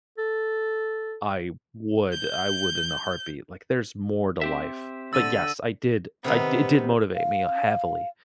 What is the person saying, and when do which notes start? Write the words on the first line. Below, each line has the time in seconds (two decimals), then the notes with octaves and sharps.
I would. I would in a heartbeat, like, there's more to life. But, yes, I did. I it did motivate me heavily.
0.18 A4
2.12 G6
4.41 C4 G4 E5
5.13 D3 E6 A6 D#7
6.24 C3 D#3 B3 D#4
7.15 F5